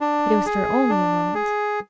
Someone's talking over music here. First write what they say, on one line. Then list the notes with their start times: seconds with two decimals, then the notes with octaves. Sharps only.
But it was for only a moment.
0.01 D4
0.46 G#4
0.90 D4
1.35 G#4